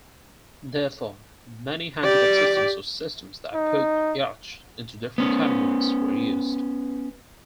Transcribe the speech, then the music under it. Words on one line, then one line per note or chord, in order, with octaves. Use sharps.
Therefore, many handicap systems or systems that put yachts into different categories were used.
G4 D5
D#4
B3 C#4